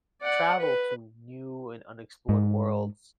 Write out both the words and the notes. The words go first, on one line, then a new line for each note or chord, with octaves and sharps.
travel to new and unexplored worlds
D5 F#5
B4
G#2